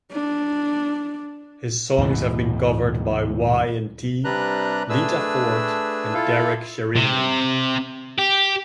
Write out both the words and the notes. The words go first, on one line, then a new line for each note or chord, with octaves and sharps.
His songs have been covered by Y and T, Lita Ford and Derek Sherinian.
D4
D2 G#2 B2 E3
C3 G3 D4 B4 A#5 F#6
A3 D4 G#4 B4 E6
E4 F4 A4 F5
C3
G4